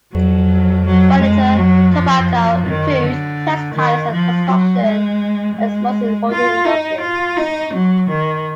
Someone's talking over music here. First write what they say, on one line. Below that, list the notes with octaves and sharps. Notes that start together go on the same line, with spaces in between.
Furniture, tobacco, food, textiles and construction are its most important industries.
F#3
F#3
G#3
F#3
F3
D#3
D3
D#3
F3
F#3
G#3
G#3
F4
D#4
F4
D#4
F#3
D#3